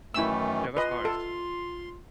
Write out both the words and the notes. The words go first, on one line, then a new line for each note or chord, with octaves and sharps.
Yeah, that's nice.
F#2 D#3 E3 A3 E4 E6
F4 B4 D#5 C6
A4